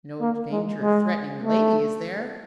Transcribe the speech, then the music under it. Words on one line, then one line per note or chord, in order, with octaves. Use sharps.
"No danger threatening the lady, is there?"
A#3
G#3
G#3
A3